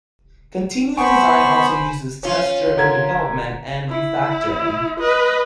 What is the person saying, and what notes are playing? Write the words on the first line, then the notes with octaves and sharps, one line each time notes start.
Continuous design also uses test driven development and refactoring.
B3 C5 G#5 B5 C#6
C#4 F4
D3 A#4 G#6
E4
B4 D#5